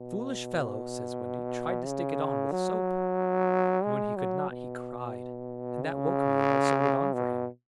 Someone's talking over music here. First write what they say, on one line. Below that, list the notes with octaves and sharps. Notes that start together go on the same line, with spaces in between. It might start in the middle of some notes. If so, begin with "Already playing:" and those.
"The foolish fellow," says Wendy, "tried to stick it on with soap, and when he could not he cried, and that woke me, and I sewed it on for him."
Already playing: B2
C#3
F#3
G#3
F#3
B2
C#3
B2